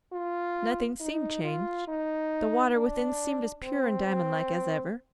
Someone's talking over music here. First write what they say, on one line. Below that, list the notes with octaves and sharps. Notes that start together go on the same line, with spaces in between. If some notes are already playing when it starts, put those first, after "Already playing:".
Nothing seemed changed; the water within seemed as pure and diamond-like as ever.
F4
D#4
F4
D#4
D4
C4
C4